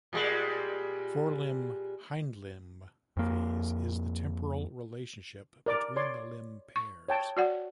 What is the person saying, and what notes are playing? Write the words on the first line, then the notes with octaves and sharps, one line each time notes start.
Forelimb-hindlimb phase is the temporal relationship between the limb pairs.
A#2 G3 G#3
F2 A#3
A#4 D5 D6
C#5 D5 C6
C#6
C#5 G5 A5
F#4 D5 F#5